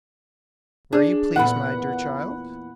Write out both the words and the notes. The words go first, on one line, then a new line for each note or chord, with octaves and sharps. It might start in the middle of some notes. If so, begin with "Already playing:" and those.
"Where you please, my dear child."
D4 G#4
E2 A#2 B3 F#5 B5